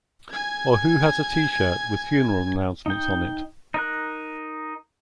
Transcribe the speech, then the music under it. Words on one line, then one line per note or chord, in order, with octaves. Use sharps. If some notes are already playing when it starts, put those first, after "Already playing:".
Or who has a T-shirt with funeral announcements on it?
G#5 G#6
D#4 G5
D#4 A#4 F#6